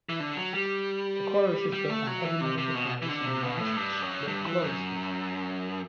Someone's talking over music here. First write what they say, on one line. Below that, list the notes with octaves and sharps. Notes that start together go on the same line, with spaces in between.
The chorus is built on heavy metal guitars and massed, shouted choruses.
E3
D3
F#3
G3
G3
A3
F#3
E3
C3
C3
B2
E3
D3
C3
B2
A2
G2
F#2
G2
E3
F#2